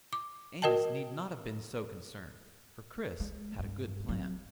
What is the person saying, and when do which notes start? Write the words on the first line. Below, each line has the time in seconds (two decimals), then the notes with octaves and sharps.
Amos need not have been so concerned, for Chris had a good plan.
0.13 D6
0.62 F#4 A#4 D#5 G5 A5
3.20 G#3
3.59 G2
4.08 F#3 C4